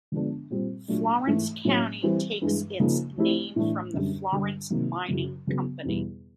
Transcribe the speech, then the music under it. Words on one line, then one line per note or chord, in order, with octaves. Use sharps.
Florence County takes its name from the Florence Mining Company.
D3 F3 G#3 B3 D4
A#2 G3 C4
A#2 F#3 A3 D4
G#2 E3 A3
A2 F#3 A#3 C#4
E3 G3 C4
G2 E3 G#3
C#3 F3 A#3 D#4
F3 A3 C4 E4 G4
A2 E3 A3 D4
F#2 D3 G3
G2 D3 G3
C3 D#3 F#3 A#3
F#2 C#3 F#3
C#3 F#3 B3
E2 B2 G3 B3 E4